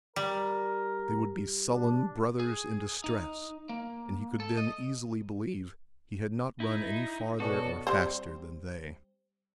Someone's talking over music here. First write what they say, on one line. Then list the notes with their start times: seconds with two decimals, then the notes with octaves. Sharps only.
They would be sullen brothers in distress, and he could then easily believe he had not run any farther or faster than they.
0.16 G3 A#4
1.74 D4
2.40 G#4
3.04 D#4
3.69 A#3
4.40 A4
4.57 D#5
6.60 D#4 E4
7.40 B2 B3 C#4 D4 F#4 A4 B4
7.87 G3 C4 C5